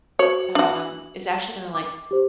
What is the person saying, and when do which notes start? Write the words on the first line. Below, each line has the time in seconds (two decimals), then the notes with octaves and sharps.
um, is actually gonna, like
0.19 F#4 C5 C#5 F#7
0.55 D4 F#4 F#7
1.75 D6
2.11 G4 C5